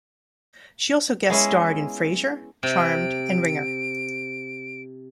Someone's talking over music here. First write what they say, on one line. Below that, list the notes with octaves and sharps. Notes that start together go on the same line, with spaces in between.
She also guest-starred in "Frasier", "Charmed", and "Ringer".
G#3 B3 C#4 E4
C3 D7